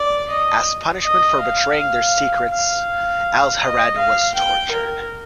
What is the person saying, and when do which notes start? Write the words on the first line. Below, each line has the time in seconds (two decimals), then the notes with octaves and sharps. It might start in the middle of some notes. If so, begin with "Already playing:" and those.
As punishment for betraying their secrets, Alhazred was tortured.
Already playing: D5
0.30 D#5
1.03 D#5
1.40 F5
1.77 F5
2.51 F5
3.61 D#5
3.97 F5
4.34 G5
4.71 A#4